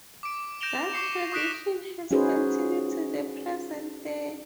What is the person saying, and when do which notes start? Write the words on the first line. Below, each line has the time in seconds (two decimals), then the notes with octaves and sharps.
That tradition has continued to the present day.
0.23 D6 D7
0.61 G6 A#6 D7 E7 F7 G7
0.93 C#6 D6 C7 C#7
1.32 C#6 D#6 F#6 B6 D7 E7
2.11 C#4 D#4 F#4 G#4 B4 C5